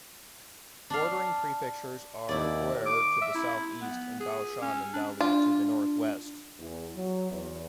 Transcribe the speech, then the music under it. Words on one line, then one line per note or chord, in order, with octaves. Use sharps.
Bordering prefectures are Pu'er to the southeast, and Baoshan and Dali to the northwest.
D4 F5
D#2 E4 D5
D6
E5
E4
B3
G#4
C#4
D4
D4 F4
E2
F#3
E2